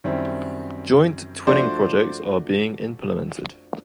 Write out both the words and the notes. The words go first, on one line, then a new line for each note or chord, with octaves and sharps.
Joint twinning projects are being implemented.
F#2 D#3 G3 C4 E4
F3 A3 D4 F#4 C5 D5